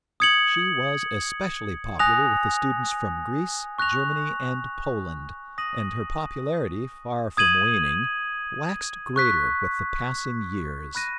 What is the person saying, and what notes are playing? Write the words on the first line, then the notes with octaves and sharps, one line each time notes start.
She was especially popular with the students from Greece, Germany and Poland, and her popularity, far from waning, waxed greater with the passing years.
D#6 G#6 C#7 F#7
G#5 D#6 F#6 A#6 F7
C#6 F#6 A#6 F7
D#6 A#6 D#7 F#7
D#6 G#6 D#7 F#7
C#6 F#6 B6
B5 F#6 A#6 D#7